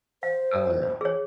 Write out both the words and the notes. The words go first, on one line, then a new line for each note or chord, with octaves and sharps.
Oh, yeah.
C5 F5
G#4 C#5